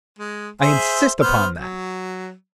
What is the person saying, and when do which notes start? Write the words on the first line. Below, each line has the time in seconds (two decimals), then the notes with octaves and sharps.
I insist upon that.
0.19 G#3
0.61 G#4 C5 E5
1.21 B3 C5 F6
1.58 F#3